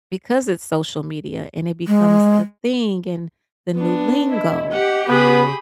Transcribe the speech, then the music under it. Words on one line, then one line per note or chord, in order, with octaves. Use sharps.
because it's social media, and it becomes a thing, and the new lingo,
G#3
B3 D4
E4 D#5
G4 F#5
C#3 B3 G#4 B4 B5